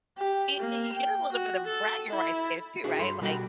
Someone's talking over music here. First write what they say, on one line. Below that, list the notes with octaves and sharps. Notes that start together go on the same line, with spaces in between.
And and you get a little bit of bragging rights there too, right? Like,
G4
A#3
G5
F#4
A4
E4
D4 E4 F#4 G#4
G2 A4 B5 C6
B2 G3 F#4 E5 G5